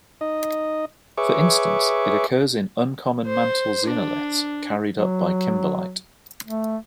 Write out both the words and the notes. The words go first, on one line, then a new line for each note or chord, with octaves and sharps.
For instance, it occurs in uncommon mantle xenoliths, carried up by kimberlite.
D#4 D#5
G#4 B4 C#5 E5 C#6 D6
C5
D4
F#3
A3